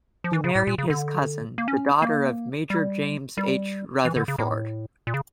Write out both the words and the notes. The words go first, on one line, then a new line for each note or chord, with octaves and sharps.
He married his cousin, the daughter of Major James H. Rutherford.
F3
E3
C#3
A2
A#2
C#3
D3
A#3
C#4
A#3
G3
G3
E3
D3
C#3
A2
A#2
C#3